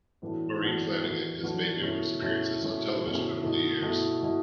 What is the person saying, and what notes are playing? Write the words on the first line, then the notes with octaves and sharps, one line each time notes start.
Maureen Flannigan has made numerous appearances on television over the years.
A2 E3 B3 D4 F#4
A2 E3 B3 D4 F#4
A2 E3 B3 D4 F#4
A2 E3 B3 D4 F#4
B2 A3 C#4 E4
B2 A3 C#4 E4
B2 A3 C#4 E4
B2 A3 C#4 E4
B2 A3 E4
B2 A3 E4
B2 A3 E4